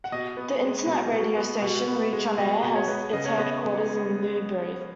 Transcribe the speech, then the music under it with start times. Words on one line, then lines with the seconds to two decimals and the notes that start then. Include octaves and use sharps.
The internet radio station Reach OnAir has its headquarters in Newbury.
0.04 F#5
0.12 B2 D#5
0.37 B3
0.63 G#3
0.86 B2
1.12 B2
1.37 B3
1.62 B2
1.87 B3
2.13 G#3
2.37 B2 D#5
2.63 B2
2.76 C#5
2.88 B3
3.13 C#3 D#5
3.25 C#5
3.37 B3 D#5